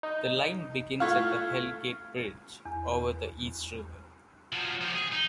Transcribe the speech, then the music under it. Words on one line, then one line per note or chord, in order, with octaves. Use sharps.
The line begins at the Hell Gate Bridge over the East River.
D#4
A3 E4 F4 F5 C#6 F6 F#6 G#6
E2
F3 F#3
F3 G4
G#4
D#4